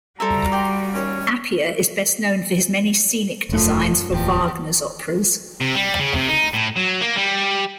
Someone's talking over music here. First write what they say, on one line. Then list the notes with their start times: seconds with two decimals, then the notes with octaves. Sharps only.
Appia is best known for his many scenic designs for Wagner's operas.
0.20 G3 F#4 A4 C5 E5 A#5
0.52 D5 G5 C6
0.93 D#2 C#4
3.49 E1 F#2 F3 A3
4.11 D1 E2 F3 G4
5.61 C3
5.75 G3
6.00 C#3
6.16 C3
6.28 D#4
6.53 A2
6.76 F#3
7.01 A#3
7.17 G3